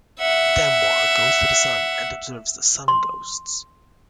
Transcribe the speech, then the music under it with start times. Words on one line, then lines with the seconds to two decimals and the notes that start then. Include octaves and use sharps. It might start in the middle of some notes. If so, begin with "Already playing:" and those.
Demwa goes to the sun, and observes the sun-ghosts.
0.19 E5 F#5
2.88 C6